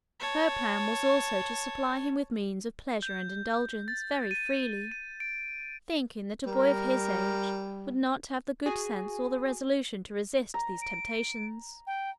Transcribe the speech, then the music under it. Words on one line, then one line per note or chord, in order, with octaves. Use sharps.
Her plan was also to supply him with means of pleasure and indulgence very freely, thinking that a boy of his age would not have the good sense or the resolution to resist these temptations.
C#5 A5
G6
A6
D#7
D#7
D7
G3 A#4
F#4 G#4 G#5
A#5
D7
G5